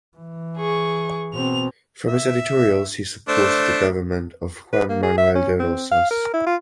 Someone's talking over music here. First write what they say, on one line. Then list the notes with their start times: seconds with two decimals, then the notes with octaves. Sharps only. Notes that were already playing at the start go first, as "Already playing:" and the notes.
From his editorials he supported the government of Juan Manuel de Rosas.
0.18 E3
0.57 G#4 C#6
1.34 B2 C4 F7
2.08 E5
3.28 A3 D4 C5
4.73 B4
4.89 A#3
5.03 G#4
5.18 E5
5.35 C#4
5.59 C4
5.91 F5
6.10 A#4
6.33 E4
6.46 F4